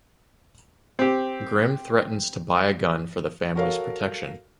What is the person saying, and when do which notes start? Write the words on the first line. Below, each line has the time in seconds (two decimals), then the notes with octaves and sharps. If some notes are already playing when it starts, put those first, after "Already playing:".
Grim threatens to buy a gun for the family's protection.
0.99 C4 G4
3.55 F#4 A4 A#4 C#5 F5